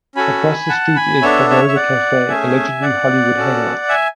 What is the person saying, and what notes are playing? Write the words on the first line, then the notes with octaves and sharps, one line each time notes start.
Across the street is the Formosa Cafe, a legendary Hollywood hangout.
C#4 F#4 A4 G#5 B5
F#5 A5
G#5 B5
B3 D4 A4 C#5 E5
C#5 E5
E5
D5 F#5
A3 C#4 G#4 E5 G#5
D5 F#5
C#4 F#4 A4
E5 G#5